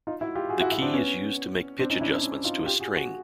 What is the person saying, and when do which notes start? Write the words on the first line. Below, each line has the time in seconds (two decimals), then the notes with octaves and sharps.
The key is used to make pitch adjustments to a string.
0.07 D#4 F4
0.21 E4 F#4
0.35 F4 G4
0.49 F#4 G#4
0.60 E4 F#4
0.71 E4 F#4
0.82 C4 D4
0.93 B3 C#4
1.79 C4 D4
1.90 C#4 D#4
2.01 D4 E4
2.11 C4 D4
2.23 C#4 D#4
2.44 D#4 F4
2.66 F4 G4
2.80 F#4 G#4
2.94 F#4 G#4